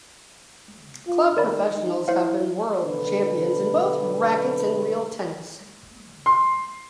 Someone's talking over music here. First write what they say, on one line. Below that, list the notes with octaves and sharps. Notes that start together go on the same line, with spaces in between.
Club professionals have been world champions in both racquets and real tennis.
F4
D#3 A#4 D5 B5
D#4
E4 C5 F5
B1 D3 B4
C6